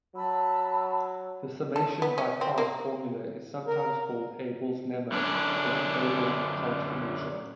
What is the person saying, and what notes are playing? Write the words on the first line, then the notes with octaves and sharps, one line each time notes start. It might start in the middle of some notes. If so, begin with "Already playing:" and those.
The summation by parts formula is sometimes called Abel's lemma or Abel transformation.
F#3 A5 B5 E6
A4
B3
C#4
C4
A#3
A#4
F#2 D3 C#4 D4